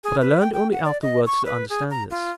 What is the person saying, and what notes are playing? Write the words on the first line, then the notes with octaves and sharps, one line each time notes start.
But I learned only afterwards to understand this.
G#4
B4
G5
G5
F#5
D5
D#5
C#6
B4
G#4
A#5
F4